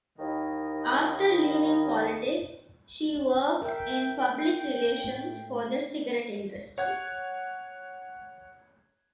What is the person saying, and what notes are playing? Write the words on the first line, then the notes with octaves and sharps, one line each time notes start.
After leaving politics she worked in public relations for the cigarette industry.
D#2 D#3 E4 D#5
A#4 E5 G5
A2
C#5 F#5 G#6